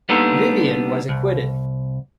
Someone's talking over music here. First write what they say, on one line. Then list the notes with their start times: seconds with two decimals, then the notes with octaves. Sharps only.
Vivian was acquitted.
0.09 G3 A#3 B3 D4 D#4 A4
1.09 C2